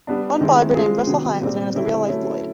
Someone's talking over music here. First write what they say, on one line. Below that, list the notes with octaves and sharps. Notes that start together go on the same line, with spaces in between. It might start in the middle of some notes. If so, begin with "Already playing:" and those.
One barber named Russell Hiatt was known as "the real-life Floyd".
G3 B3 D4
D#3 G#3 C4 E4
G#3 C4 F4 G#4
C3 D#3 F#3 B3
A#2 G3 C4
D3 G3 C4 E4
F#3 A3 C#4 E4